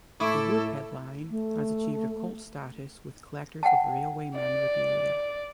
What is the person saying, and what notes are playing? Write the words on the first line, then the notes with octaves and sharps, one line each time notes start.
The Woodhead line has achieved a cult status with collectors of railway memorabilia.
A2 E4 A4 C#6 D6 D7
A3
F#5 G5 A5
D5